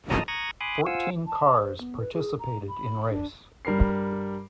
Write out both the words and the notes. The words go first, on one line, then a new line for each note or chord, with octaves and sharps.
Fourteen cars participated in race.
D#5 A5 A#5 D#6
A#5 C#6 D#6 F#6 G#6 A#6
G#5 B5 C6 D6 D#6 F#6
F4 C5 F5 F#5 G#5 E6
A5
C5
B3
B4
G#4
A#5
B5
D4
G2 G3 A#4 B5 C7